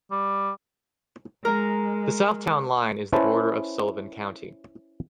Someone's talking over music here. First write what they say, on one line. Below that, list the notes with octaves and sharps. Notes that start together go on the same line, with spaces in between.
The south town line is the border of Sullivan County.
G3
G#3 A#4
C#4 E4 B4 C5 A5